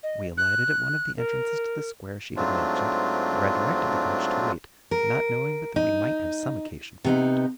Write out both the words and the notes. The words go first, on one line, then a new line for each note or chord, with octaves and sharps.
We alighted at one of the entrances to the Square she had mentioned, where I directed the coach to wait, not knowing but that we might have some occasion for it.
D#5
F#6
A#4
G#2 F#3 A3 C4 D4 F4
A#4
D#4
C3 B3 D#4